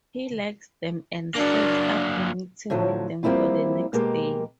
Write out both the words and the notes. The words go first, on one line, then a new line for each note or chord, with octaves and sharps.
He likes them and sets up a meeting with them for the next day.
F#3 A#3 D4
A2 D3 F3 F#3
F3 G3 A#3 C4 E4 F4
B2 G#3 A#3 G4 A#4